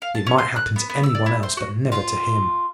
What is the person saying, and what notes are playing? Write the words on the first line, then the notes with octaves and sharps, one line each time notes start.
It might happen to any one else, but never to him!
F5
A5
C#4
C6
F#6
B3
B3
E6
D5
E4
C5
F#4
F4